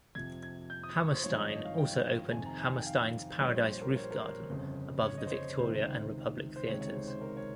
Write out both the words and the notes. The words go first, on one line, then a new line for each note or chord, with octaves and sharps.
Hammerstein also opened Hammerstein's Paradise Roof Garden above the Victoria and Republic theatres.
F2 C3 F3 G#6
G#6
G6
D#6
C#6
C5
G#1 G2 F3 C#5
D#5
D#5
F5
G5
F2 C3 D#3 G#5
A#5
G#5
G5
F5
A#1 A#2 G3 C#5
C5
C5
A#4
C#5
C5
A#4
C5
G1 F2 C#3
C#5
D#5
C5
C#5
C5
C#2 C3 D#3 C5
C5
C#2 C3 D#3 G#3 C#5
C#5
C5
C5
A#4
C#5